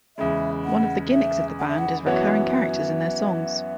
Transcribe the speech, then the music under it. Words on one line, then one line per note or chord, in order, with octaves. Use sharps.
One of the gimmicks of the band is recurring characters in their songs.
E2 C#3 G#3 E5
F#5
E5
F#5
E5
F#5
F#2 E3 B3 F#4 C#5 E5